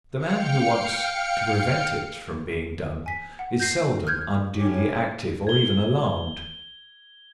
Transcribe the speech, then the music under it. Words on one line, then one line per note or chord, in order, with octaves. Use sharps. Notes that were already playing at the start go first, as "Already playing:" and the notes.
The man who wants to prevent it from being done is seldom unduly active or even alarmed.
F5 G5 F6 C#7
G#5 B6
F#5
G6 A#6 C7
F6 G6 G#6
A2 C#4 G4
G#6 G7